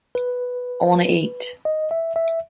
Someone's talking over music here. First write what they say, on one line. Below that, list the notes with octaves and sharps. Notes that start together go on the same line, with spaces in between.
I wanna eat!
B4
D#5
E5
E5